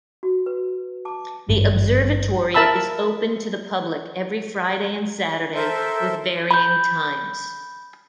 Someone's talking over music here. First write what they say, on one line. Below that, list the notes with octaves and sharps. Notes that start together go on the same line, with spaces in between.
The Observatory is open to the public every Friday and Saturday, with varying times.
F#4
B4
A5 D6
G#1 G2
A#4 E5 A5 B5 E6
A4 A#4 C5 E5
B5 G6